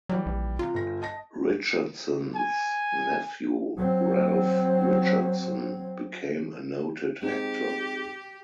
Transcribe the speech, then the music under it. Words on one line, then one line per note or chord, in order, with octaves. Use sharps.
Richardson's nephew Ralph Richardson, became a noted actor.
E3 F#3 G3
A#1
C3 F4
G1 A#6
D#5 A5 A#6
G#5
F#3 C4
G#3 C4 D#4 G4